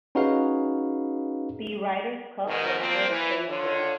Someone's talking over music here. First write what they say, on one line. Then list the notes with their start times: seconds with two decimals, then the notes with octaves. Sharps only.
The Ryder Cup was first played there.
0.15 C#4 D#4 F#4 G#4 B4 F5
2.47 G#2 B2 D#3
2.79 F3 A#3 C4
3.09 E3
3.47 D3 F4 C#5